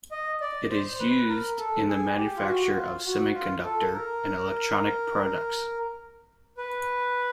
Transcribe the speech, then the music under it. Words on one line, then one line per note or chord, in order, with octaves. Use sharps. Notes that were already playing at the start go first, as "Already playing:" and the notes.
It is used in the manufacture of semiconductor and electronic products.
D#5
D5
C5
B4
A#4
A4
G#4
G4
F4
F#4
F4
F#4
F4
A4
A#4
B4